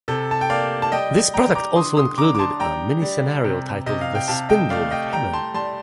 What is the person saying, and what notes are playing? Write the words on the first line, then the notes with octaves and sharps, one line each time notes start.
This product also included a mini-scenario titled "The Spindle of Heaven".
C3 A4
A5
G5
A#3 D5 F5
A5
G3 D#5 G5
G3 G5 A#5
A#5 D6
D3 C6 D#6
C6 D#6
D3 A#5 D6
D6
A5 C6
G3 G5 A#5
G3
C3
C3 D#5
F5
G5
C3 F5 A5
D#5 G5
A3 D5 F5
F5
D#5 G5
G3 G5 A#5
A5 C6
G3 A5 C6